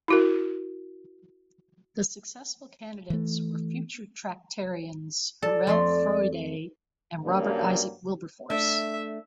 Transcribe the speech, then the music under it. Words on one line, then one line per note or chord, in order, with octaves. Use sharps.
The successful candidates were future Tractarians Hurrell Froude and Robert Isaac Wilberforce.
E4 F#4 A#4
E3 A3
A4 D5
F2 A3 C6
G2 C#3 F#3 A#3
A3 D4 E5